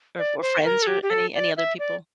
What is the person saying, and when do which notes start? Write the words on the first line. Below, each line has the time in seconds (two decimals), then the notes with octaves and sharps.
or or friends, or any any other people?
0.19 D5
0.41 C5
0.64 A#4
0.82 A4
0.87 G4
1.03 G4
1.10 A4
1.34 D5
1.57 E5
1.79 D5